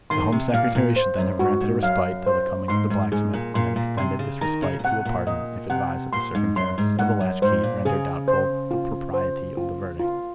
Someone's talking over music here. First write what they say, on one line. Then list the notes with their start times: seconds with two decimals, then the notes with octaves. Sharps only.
The Home Secretary should then have granted a respite till the coming of the blacksmith, and have extended this respite to a pardon, if advised that the circumstances of the latch-key rendered doubtful the propriety of the verdict.
0.10 D#3 C6
0.32 C3
0.53 A#2 F5
0.75 A#2
0.96 C5
1.18 F#2
1.39 G#2 F#4
1.61 G#2
1.83 F#2 F5
2.26 C5
2.68 G#2 C6
2.90 G#2
3.12 G#2 G#4
3.34 A#2
3.54 A#2 C6
3.76 A#2
3.97 C3 C6
4.19 C#3
4.41 D#3 A#5
4.62 C#3
4.79 A#2
4.84 C3 F#5
5.05 A#2
5.27 A#2 D#5
5.70 C3 F#5
6.13 A#2 C6
6.35 G#2
6.56 F#2 C6
6.78 G#2
6.99 G#2 F#5
7.20 F#2
7.42 G#2 C5
7.63 A#2
7.85 C#3 G#4
8.28 C5
8.71 F4
9.14 C5
9.57 F4
10.00 F4